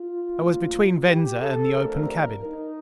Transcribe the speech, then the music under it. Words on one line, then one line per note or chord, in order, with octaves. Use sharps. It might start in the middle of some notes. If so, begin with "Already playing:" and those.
I was between Venza and the open cabin.
Already playing: F4
A2 F3 A#3 D4
G4
A4
C3 F3 A3 D4 A#4
D#4